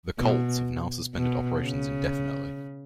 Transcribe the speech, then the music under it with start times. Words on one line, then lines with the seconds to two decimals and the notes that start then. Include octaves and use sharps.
The Colts have now suspended operations indefinitely.
0.19 B2
1.14 B2
1.61 C#3